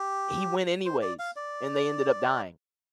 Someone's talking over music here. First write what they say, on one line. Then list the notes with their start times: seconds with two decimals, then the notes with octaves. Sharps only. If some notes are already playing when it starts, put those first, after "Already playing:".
he went anyways, and they ended up dying.
Already playing: G4
0.85 C5
1.02 D5
1.19 F5
1.36 D5